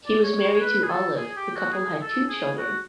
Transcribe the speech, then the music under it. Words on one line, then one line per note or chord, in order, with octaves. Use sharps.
He was married to Olive; the couple had two children.
D5
C#5
C#5
B4
G#4
A4
G#4
G4
F#4
G#4
A4
G#4
F#4